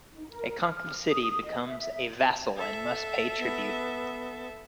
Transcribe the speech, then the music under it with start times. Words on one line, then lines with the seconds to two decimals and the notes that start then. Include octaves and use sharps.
A conquered city becomes a vassal and must pay tribute.
0.13 D#4
0.29 A#4
0.61 F6
1.10 D#6
1.45 D#5
1.67 E5
2.57 A4 E5
3.38 B3